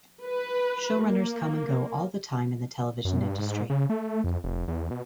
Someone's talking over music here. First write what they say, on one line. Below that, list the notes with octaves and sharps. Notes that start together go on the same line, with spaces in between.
Showrunners come and go all the time in the television industry.
B4
A#3
F#2
G2
G#2
C#3
A3
F2
F1
E2
B2